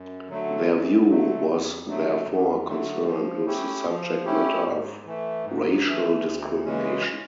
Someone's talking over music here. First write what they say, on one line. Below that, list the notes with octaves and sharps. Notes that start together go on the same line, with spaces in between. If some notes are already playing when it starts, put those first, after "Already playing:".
Their view was therefore concerned with the subject-matter of racial discrimination.
Already playing: F#2
D3 F#3 A3
F#2
D3 F#3 A3
F2
D3 F#3 A3
F2
D3 F#3 A3
F3
A3 C#4 E4 G4
F3
A3 C#4 E4 G4
G#2
E3 A3
G#2
E3 A3
D2
C#3 E3 G#3 C#4